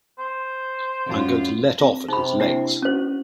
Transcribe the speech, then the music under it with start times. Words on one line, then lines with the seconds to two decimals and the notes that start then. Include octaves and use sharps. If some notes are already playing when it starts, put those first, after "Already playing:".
I'm going to let off at his legs.
0.19 C5
1.07 F#2 F4
1.80 C4
2.08 C3 D#4 G#4 B5
2.40 A#3 D4 E4
2.82 C#4 F#4 C5